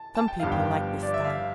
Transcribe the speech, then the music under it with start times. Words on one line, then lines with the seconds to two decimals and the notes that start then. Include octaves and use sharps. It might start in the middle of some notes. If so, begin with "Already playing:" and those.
Some people like this style.
Already playing: A5
0.15 A5
0.28 G5
0.40 G1 G2 F3 B3 F5
0.52 G5
1.03 D5
1.14 E5
1.25 F5